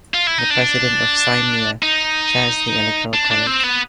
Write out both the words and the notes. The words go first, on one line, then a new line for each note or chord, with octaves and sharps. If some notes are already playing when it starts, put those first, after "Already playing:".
The president of the Saeima chairs the electoral college.
F4
E4
D#4
D4
D#4
D4
D4
C4
B3